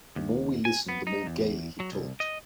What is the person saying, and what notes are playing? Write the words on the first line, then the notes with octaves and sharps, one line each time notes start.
The more we listened, the more gaily he talked.
D#2
G#5
B3
D#4
E2
F#3
C2
D#5